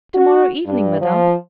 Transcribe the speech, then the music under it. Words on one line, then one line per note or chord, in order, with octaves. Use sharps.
"To-morrow evening, madam."
F#4
G2
F3